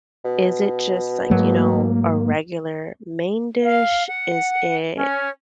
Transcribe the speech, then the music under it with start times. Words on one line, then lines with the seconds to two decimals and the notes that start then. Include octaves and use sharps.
is it just, like, you know, a regular main dish? Is it
0.25 B2
1.30 G#2 F#3 A3 A#3
3.62 F5
4.07 F#5
4.95 C#4